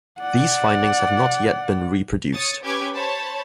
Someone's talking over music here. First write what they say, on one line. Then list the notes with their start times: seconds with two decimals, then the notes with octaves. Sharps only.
These findings have not yet been reproduced.
0.21 D5 F#5
2.34 C#5 D#6 A6 C#7
2.63 C#4 G4 B4 D6 G#6
2.95 C5 C#5 A5 B5